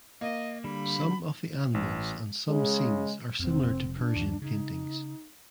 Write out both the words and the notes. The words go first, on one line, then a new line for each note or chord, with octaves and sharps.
Some of the animals and some scenes are similar to Persian paintings.
A#3 D#5
D3 G3 B5
A1
C#3 G#3
F1 F2 C4
D4
D#2 F3
C#3 D#4